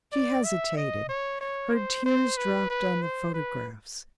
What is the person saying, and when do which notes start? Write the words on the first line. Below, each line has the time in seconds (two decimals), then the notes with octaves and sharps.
She hesitated; her tears dropped on the photographs.
0.13 D5
0.44 E5
0.77 D#5
1.09 C#5
1.41 C#5
1.73 C5
2.06 C5
2.37 B4
2.70 B4
3.02 C5
3.34 B4